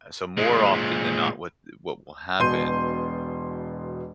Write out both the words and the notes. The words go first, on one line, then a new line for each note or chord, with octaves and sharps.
Uh, so more often than not, what th what will happen
A#2 G#3
E1 B2 C6 G6 D#7